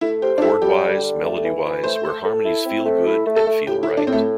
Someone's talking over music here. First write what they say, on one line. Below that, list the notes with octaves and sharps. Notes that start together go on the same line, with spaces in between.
Chord-wise, melody-wise, where harmonies feel good and feel right.
A3 E4
G4 C5
D4
E4 A4
G3 G4
D3
G3
A3
E3
E3
A3 C5
A4
A4
E4
C4
A3
E4
A3
A4
A3
A2 G4
E4
A2
D4
A2 C4
A3